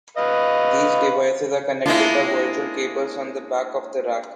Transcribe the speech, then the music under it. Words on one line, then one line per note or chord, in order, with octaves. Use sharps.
These devices are connected by virtual cables on the back of the rack.
B4 D#5 F5
G#3 A#3 D4 E4 F4